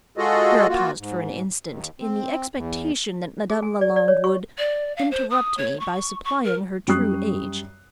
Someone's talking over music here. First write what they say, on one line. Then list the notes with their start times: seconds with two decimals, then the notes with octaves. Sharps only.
Here I paused for an instant, in the expectation that Madame Lalande would interrupt me by supplying her true age.
0.18 G#3 F4 F#4 G#4 A4 D#5
0.69 A#3 F4 F#4
0.98 G#2
1.66 D#2
2.00 C4
2.54 E2
3.50 G#4
3.63 G#5
3.81 D5
3.96 D5
4.08 C#5
4.24 C#6
4.58 D5
4.96 F5
5.11 C5
5.30 D#6
5.57 C#5
5.79 C#6
6.25 C#6
6.44 A#4
6.87 F#2 G3 C#6 D#6 F#6 C7